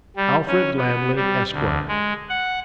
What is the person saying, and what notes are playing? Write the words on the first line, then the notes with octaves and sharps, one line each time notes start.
'Alfred Lammle, Esquire.
G3
C#4
B3
G3
D2
G#3
F#5